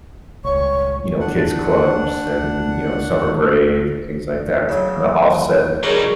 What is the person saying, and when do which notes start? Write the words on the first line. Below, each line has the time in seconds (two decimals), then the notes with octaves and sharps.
you know, kids' clubs and, you know, summer break and things like that to kinda offset
0.44 D#1 C#2 C#5 C#6
1.20 D4 F#5
4.69 C#3 F#3
5.83 F#3 G3 C#4 D#4 G#4 A#4